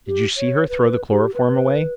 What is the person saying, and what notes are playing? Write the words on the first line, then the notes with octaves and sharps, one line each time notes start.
"Did you see her throw the chloroform away?"
G4
C#5
B4
G4
B4